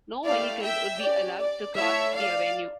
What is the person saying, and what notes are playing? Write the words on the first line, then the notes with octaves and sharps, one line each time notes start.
No vehicles would be allowed to cross the avenue.
A3 E4 G4 D5 F5
E5 G5
C#4 G4 D5
D5
A3 E4 A4 C#5 E5
D5 F5